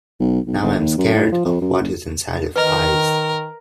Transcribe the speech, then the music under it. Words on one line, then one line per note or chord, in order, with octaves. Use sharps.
Now, I’m scared of what is inside of pies.
B1
B1
G1
D#2
F#2
A2
F3
F2
F#2
F#1
D#3 A#4 B4 D#5